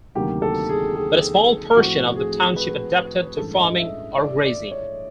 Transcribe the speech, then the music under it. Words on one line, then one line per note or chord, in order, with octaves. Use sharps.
But a Small portion of the Township adapted to farming or grazing.
D2 C3 D#3 F#3 A#3 G4
A4
G#4
G#4
A2 F3 A3 C4 E4 F#4
G#4
B4
A1 G2 E3 G#3 A4
D#5
E5
D5
D5
C#5